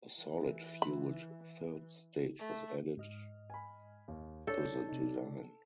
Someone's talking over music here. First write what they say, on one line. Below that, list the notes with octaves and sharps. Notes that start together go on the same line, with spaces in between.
A solid-fueled third stage was added to the design.
E3
B5
A3
G#2 D#5 F6
G#5 B5
D#2
D4 A4 C#5 G6
C3 D#4